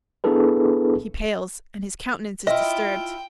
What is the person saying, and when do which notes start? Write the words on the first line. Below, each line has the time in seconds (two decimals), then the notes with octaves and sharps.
He pales, and his countenance is disturbed.
0.24 B3 D4 E4 G#4 A4 B4
2.47 E4 F4 D#5 G5